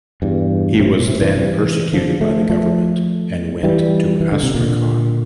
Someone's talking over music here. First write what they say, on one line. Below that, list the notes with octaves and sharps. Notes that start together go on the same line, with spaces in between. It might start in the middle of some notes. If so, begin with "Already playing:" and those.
He was then persecuted by the government and went to Astrakhan.
E2 G2
A2 C3
G2 A#2
A2 C3
C3 E3
C3 E3
D3 F3
F3 A3
F3 A3
E3 G3
E3
D3
C3
A#2 D3